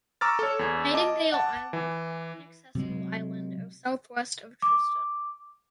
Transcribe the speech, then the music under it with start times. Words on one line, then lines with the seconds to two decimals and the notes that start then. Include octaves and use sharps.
Nightingale Island and Inaccessible Island are southwest of Tristan.
0.21 A#5 C#6 D6 E6 F6 A6
0.39 A4 C#5
0.59 E2 G#6
0.94 D#5 A5 D6
1.32 F#5 A5
1.73 E3
2.75 C3 F#3 G#3
4.62 D6